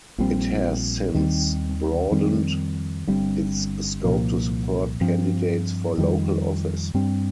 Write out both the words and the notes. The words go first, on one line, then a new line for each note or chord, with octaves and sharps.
It has since broadened its scope to support candidates for local office.
A#1 A#2 G3 C4
D#2 D#3 G3 C4
F2 D#3 G3 C4
G1 G2 G3 C4
C2 A#2 F3 A#3
G2 F3 C4
F2 D#3 G3
G2 G3 C4